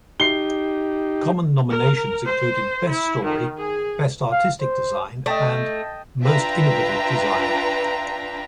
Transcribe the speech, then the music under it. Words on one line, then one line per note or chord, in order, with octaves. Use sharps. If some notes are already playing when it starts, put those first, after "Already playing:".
Common nominations included "Best Story", "Best Artistic Design", and "Most Innovative Design".
D#4 G4 C7 G7
A#4
C5
E4
D#3
G#4
F5
C5
A3 D#5 G5 A5
D4 F4 B4 E5 G5 A#5